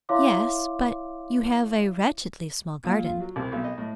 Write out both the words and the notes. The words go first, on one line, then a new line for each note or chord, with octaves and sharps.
"Yes; but you have a wretchedly small garden."
E4 C#5 E5 F5 C6 D6
A#2
F4
F#3
C2
B1
D#5
A2